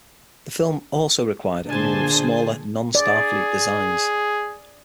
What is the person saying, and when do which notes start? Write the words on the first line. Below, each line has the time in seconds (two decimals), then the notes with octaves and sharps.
The film also required a number of smaller non-Starfleet designs.
1.66 A#2 D3 A#3 D4 G#4 C5 G#5 A5
2.95 G#4 D5